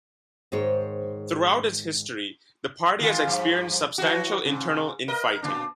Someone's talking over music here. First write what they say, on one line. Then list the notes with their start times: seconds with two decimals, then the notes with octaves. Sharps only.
Throughout its history, the party has experienced substantial internal infighting.
0.52 G#2 D#3 G#4 C5 C#5
3.00 D#3 G#3 F4
3.27 G2 F3
3.98 E3 F#3 F#4
4.45 G#2 C3
5.08 A#4 D#5
5.43 A#2 D#3 D4